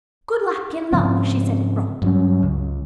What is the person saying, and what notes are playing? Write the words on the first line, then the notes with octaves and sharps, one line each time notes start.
Good luck in love she said it brought.
G#2 C#3 F3 C4
G2 F#3 C#4
C#2